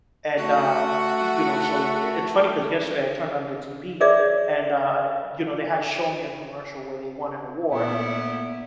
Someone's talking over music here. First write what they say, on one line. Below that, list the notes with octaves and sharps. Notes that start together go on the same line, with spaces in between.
And, um you know, so it's funny 'cause yesterday I turned on the TV and, uh you know, they had shown me a commercial where they won an award,
A3 F#4
G#4 A#4 C#5 D5 E5 D6
A#2 D3 A3 B3 E4